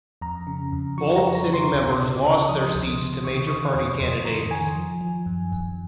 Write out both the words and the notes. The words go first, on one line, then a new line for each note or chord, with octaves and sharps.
Both sitting members lost their seats to major party candidates.
F2 A#5
C#3
F2
F3 C#6
A#5
F2
A#5
C#3
C6
C#2
C#3
C#2
F3 D#6
C#2
C#3
D#3 C#6
D#6
D#3 C#6
F2
F2 C6
D#3 A#5
D#3 G#5
F3
F3
F#2
F#2